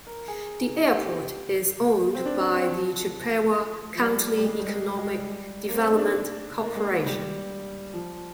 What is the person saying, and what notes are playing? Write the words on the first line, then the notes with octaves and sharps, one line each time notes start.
The airport is owned by the Chippewa County Economic Development Corporation.
A#4
G#4
G4
C4
D4
D4
C4
F3
F3
G3
G3
G#3
G3
G#3
G3
G#3
G3
A#3
C4
D#4
D4
A#3
G#3
A#3
G3
F3